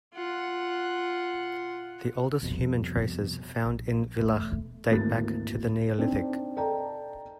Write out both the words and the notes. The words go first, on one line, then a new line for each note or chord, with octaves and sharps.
The oldest human traces found in Villach date back to the Neolithic.
F4 F#5
C2 F2 B2
A#1
E1 A3
G#1 D2 G#2 A#3 E4 A6
C4 D4 D#4
A4 D5 D#5 G5 A5 A#5